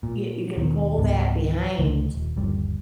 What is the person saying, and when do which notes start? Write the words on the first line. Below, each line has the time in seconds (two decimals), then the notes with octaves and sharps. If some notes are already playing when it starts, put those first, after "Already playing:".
yeah, you can pull that behind.
0.03 A#2
0.57 D#2 B2 D#3
0.98 C#2 G#2 G3 B3
1.79 C#2 D3 E3 A3
2.15 D#1
2.37 G1 D#2 G3